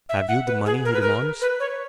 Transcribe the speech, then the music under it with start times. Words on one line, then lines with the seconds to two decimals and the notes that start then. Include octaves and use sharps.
"Have you the money he demands?"
0.09 E5
0.28 F#5
0.47 B4
0.66 G#4
0.85 A#4
0.93 B4
1.02 A#4
1.41 B4
1.60 C#5